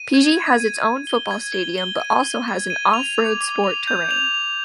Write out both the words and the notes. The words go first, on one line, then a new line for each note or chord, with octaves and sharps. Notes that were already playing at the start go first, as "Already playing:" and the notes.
Pigi has its own football stadium but also has an off-road sport terrain.
Already playing: D#7
G#6
G#6
D#7
G#6
G7
G#6
G7
G7
D#7
G7
G#6
D#7
F7
D6
D6
F7
G6
F7
F7